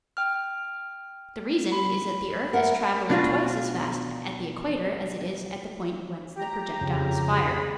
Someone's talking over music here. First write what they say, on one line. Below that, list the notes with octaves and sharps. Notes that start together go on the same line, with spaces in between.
The reason is that the earth is traveling twice as fast at the equator as it is at the point whence the projectile is fired.
G5 F6
B5 C6
A#4 E5 F#5
B2 D4 F4 F#4
G4 A#5
F2 C#3
G#4 B5